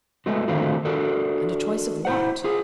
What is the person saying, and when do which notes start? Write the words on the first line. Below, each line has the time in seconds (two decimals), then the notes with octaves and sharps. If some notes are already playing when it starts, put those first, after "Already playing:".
And a choice of what?
0.26 G#3 A3 B3 F#4
0.48 D3 D#3 A3 C4 F4 F#4
0.85 D4 F#4 A4 A#4
2.05 E4 C5 F#5
2.44 F4 G#4